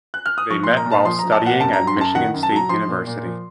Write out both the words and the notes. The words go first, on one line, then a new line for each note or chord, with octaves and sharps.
They met while studying at Michigan State University.
F#6
F6
D#6
F3 C#6
A#2 C6
A#5
A#2
A5
F3 C6
F3 A#5
A5
A#2 F#5
F#2 A5
A#5
F#3
C6
F#2 A5
D#3 F#5
F#2
A5
F#3 A#5
F3 C6
A#2
A#2
F3